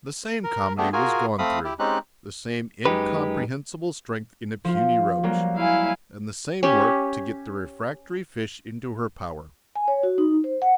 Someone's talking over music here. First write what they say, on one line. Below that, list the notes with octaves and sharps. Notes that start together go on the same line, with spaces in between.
The same comedy was gone through, the same incomprehensible strength in a puny roach, and the same work to get the refractory fish into her power.
A#4
A3 B3 D4 G4 G#4
F4 F#4 G#4 A#4 G#5
A3 C4 F5 B5 D#6
E4 G4
G#3 C4 C#4 D#4 G4 F#6
F#2 G#3 D#4 G4 B4
F3 F4
F#3 G3 A#3
E4 F5 G#5
C#4 G4
G#5
C#5
F#4
D#4
C5
F#5